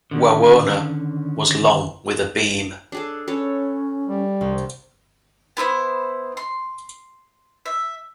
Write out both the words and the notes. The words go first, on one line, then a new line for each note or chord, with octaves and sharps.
"Wawona" was long with a beam.
D3 D#3 C#4
D4 G#4 A4
C#4 A4 B4 C#5
G3
C2
B3 E4 B4 C5
C6
E5